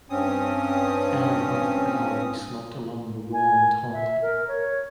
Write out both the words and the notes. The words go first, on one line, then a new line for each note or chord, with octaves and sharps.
Hour after hour we slopped along by the roaring torrent.
G2 C4 C#4 D#6
G#5
E5
A#4
C#5